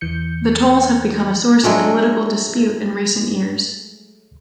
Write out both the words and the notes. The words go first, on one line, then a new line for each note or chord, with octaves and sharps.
The tolls have become a source of political dispute in recent years.
E2 E3 G6 C#7
F#3 G#3 A3 D4